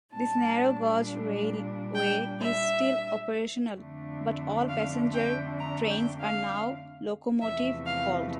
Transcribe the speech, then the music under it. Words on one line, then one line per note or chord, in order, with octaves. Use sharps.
This narrow gauge railway is still operational but all passenger trains are now locomotive-hauled.
A#2 G3 D4 A5
G5
E5
F2 D3 A3 D4
F5
G5
A#5
G5
F5
E2 C3 F3 A3 E5
F5